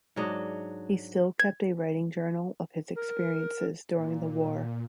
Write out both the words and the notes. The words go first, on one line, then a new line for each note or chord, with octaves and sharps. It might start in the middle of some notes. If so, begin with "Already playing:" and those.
He still kept a writing journal of his experiences during the war.
G#2 F#3 D4 D#5
G#6
A#4
A#2